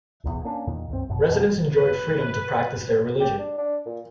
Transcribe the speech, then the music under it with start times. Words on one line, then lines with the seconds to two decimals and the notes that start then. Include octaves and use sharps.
Residents enjoyed freedom to practice their religion.
0.24 D1 B1 E2
0.44 A#3 C#4 D4
0.67 E2 A#2 D#3
0.89 C2 F#2 C4
1.09 G#1 F#2 B2
1.26 F2 B2 D#3
1.74 B4
3.20 G4
3.39 D4
3.58 D4
3.86 A#2